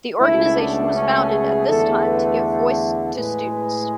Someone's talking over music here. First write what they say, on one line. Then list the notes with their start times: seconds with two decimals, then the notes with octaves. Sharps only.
The organisation was founded at this time to give voice to students.
0.19 C#2 B2 A3 E4
0.56 D4
0.93 C#4
1.30 G#4
1.66 E2 D3 A3 A4
2.03 B4
3.13 A2 G#3 B4
3.50 B4